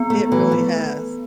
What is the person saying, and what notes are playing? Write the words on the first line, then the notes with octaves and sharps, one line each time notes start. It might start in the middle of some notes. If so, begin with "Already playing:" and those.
It really has.
Already playing: B3
A3
E3
A3